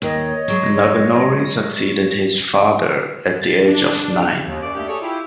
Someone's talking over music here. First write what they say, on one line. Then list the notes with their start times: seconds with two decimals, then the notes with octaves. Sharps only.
Naganori succeeded his father at the age of nine.
0.02 D#2 C#5 D#5
0.48 F#3 G#3
3.42 A6
3.68 D4
4.46 D#2
4.61 F#2 D5
4.74 A3 A#3 D4 D#4 G4
4.87 G#4 A4 C#5 D5
5.01 E4 F4 G4